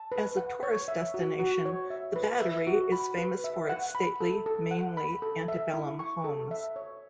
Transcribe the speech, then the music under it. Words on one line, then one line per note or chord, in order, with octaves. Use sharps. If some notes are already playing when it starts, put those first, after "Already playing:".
As a tourist destination, the Battery is famous for its stately, mainly antebellum homes.
Already playing: A5
B4
F#5
C#5
E5
F#4
F#4
C#5
E5
B4
E5
F#4
B5
B4
E5
F#5
B5
A4
A4
F#5
B5
A4
E5
E4
C#6
A4
E5
C#5